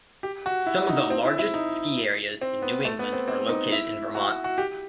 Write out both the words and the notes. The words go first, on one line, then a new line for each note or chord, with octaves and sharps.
Some of the largest ski areas in New England are located in Vermont.
G4
F#4
E4
D#4
C4
E4
E4
D#4
C4
B3
A3
B3
C4
C4
D#4
E4
F#4
F#4
G4